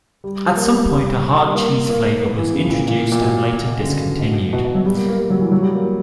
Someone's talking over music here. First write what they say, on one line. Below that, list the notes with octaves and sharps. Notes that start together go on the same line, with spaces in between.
At some point a Hard Cheese flavour was introduced and later discontinued.
G3
G3
A#3
G3
A#3
G3
G3
A#3
A#3
B3
E3
C#3
A#2
A#2
A#2
B2
D3
C#3
B2
B2
B2
F#3
G3
A#3
A#3
G3
F#3
E3
F#3
G3
A#3